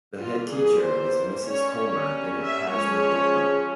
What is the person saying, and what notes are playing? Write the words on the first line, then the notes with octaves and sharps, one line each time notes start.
The head Teacher is Mrs Colmer and it has no deputy.
E3 G3 A#3 F4
G#4
C5
G3 A#3 C#4 C#5
C#5
E5
F3 G#3 C#4 C#5